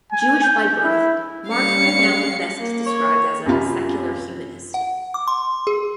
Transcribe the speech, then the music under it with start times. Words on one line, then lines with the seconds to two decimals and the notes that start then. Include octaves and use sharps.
Jewish by birth, Mark could now be best described as a secular humanist.
0.12 G#5
0.44 G6
0.83 E4
1.48 G3 C#4 F5 C#7
2.60 A#3
2.87 C#5
3.46 F#2 C3 F4 B5
4.74 F#5
5.14 D6
5.28 C6
5.67 G#4